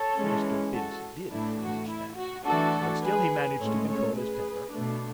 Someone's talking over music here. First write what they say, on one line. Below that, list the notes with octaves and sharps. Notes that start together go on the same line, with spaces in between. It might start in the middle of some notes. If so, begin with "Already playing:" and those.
Mr. Bince did understand, but still he managed to control his temper.
Already playing: A4 C#5
E3 G#3 C#4
F#4 A4
A2 E3 A3 D4 E4
F#4
E4
F#4
E3 A3 D4 F#4 A4
G#4 B4
A2 G#3 C#4 A4 C#5
A4 C#5
G#4 B4
B2 A3 D4